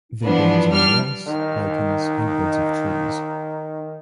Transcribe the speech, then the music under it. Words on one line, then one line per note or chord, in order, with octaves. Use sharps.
They browse on grass, lichens and buds of trees.
E3 F3 B3 D4
G3 D4 F6
D#3 D#4